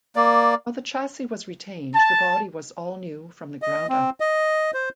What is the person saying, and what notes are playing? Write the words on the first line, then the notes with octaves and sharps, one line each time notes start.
While the chassis was retained, the body was all-new from the ground up.
A#3 D5
A5
D#5
C4
D#5
C5